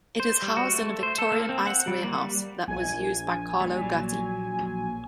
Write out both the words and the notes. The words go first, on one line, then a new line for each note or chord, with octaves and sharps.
It is housed in a Victorian ice warehouse that was used by Carlo Gatti.
C5
G3
F#4
A3
C5
A4
A#3
C4
F#5
G3
A#3
G3
A#1 G#5
G3
A#2 F#3